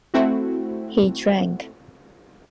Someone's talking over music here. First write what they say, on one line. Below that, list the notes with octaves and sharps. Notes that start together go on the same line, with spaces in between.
He drank.
A3 C4 E4 F#4